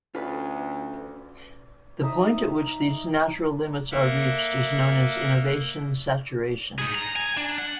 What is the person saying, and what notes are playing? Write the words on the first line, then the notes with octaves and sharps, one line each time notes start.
The point at which these natural limits are reached is known as "innovation saturation".
D2 C#4 F4 A4 B4
D#4 E5 D#6
A#3 A4 A#4 E5 F#6
D#4 G#4
A#5
G#5
D4
F#5